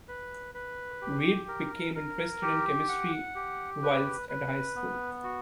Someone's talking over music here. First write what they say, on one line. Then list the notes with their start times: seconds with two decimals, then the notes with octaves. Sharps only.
Reid became interested in chemistry whilst at high school.
0.08 B4
0.55 B4
1.02 G4
1.48 A#4
1.95 A#4
2.42 G4
2.89 F#5
3.35 G4
3.83 B4
4.29 B4
4.76 B3
5.24 F#4